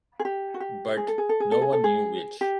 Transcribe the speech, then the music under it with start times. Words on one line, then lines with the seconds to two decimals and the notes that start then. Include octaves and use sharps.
But no one knew which.
0.20 G#4
0.25 G4
0.54 F#4
0.60 G4
0.97 G#4
1.08 A4
1.18 G#4
1.29 A4
1.40 G#4
1.52 A4
1.61 G#4
1.73 A4
1.84 G#4
2.41 G4